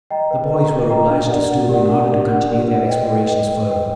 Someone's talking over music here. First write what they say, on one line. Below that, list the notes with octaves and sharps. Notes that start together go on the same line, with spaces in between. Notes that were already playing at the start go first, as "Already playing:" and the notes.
The boys were obliged to stoop in order to continue their explorations further.
D#5 G5 A#5
B4
D#5 G5 A#5
B4
D#5 G5 A#5
D4
G4 A#4 D5 F#5
D4
G4 A#4 D5 F#5
D4
G4 A#4 D5 F#5
D4
G4 A#4 D5 F#5
B4
D#5 G5
B4
D#5 G5
B4
D#5 G5